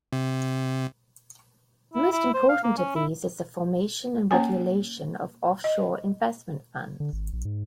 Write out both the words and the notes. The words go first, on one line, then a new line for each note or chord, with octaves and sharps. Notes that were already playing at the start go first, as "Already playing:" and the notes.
The most important of these is the formation and regulation of offshore investment funds.
C3
E4
E4
C5
F5
A#3
C#4
E4
A#3 C#4 C#5 G#5
D#5
D3
G#1
A#1
G#2